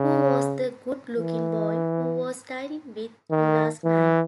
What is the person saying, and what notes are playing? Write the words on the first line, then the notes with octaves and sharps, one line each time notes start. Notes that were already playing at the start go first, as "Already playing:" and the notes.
Who was that good-looking boy who was dining with you last night?
Already playing: C#3
E3
D#3
E3